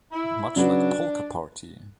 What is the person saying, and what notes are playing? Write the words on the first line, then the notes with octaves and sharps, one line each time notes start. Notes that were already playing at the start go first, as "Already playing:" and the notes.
Much like Polka Party!
E4
C#3 F#3 C#4 D4 F#4 B4